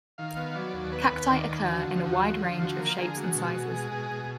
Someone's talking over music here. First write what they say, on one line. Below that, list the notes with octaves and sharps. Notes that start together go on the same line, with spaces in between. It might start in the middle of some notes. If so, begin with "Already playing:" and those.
Cacti occur in a wide range of shapes and sizes.
D#3 F5
B3
F#3 D5
D#2
B3 B4
D#2
D#3 D5
D#2
D3 F#4
F3
D#2 F#4
F3
D3 F4
F3 F#4
A#3 A#4
D3 G#4
G#3 F#4
B2
F#4
B2
G#4
G#3
B2 G#4
B2